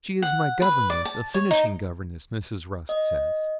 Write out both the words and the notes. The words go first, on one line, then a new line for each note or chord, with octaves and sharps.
She is my governess--a finishing governess, Mrs. Rusk says.'
F#5
B4
D5
A5
C#5
D#4
D#5